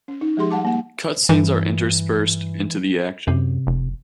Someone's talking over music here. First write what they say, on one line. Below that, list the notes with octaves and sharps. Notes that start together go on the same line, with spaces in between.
Cut scenes are interspersed into the action.
C#4
D#4
F3 G#3 G4 G#4 C6
G3 F#5 A5 D6
A#3 F#5
G2 E3
F#2 C3
F1